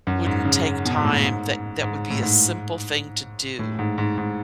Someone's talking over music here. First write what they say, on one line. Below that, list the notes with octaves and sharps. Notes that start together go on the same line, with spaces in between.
wouldn't take time that that would be a simple thing to do.
F#2
G#2
C#3
B2
G#2
A2
G#2
G#2
A2
G#2
A2
G#2
G#2
G#2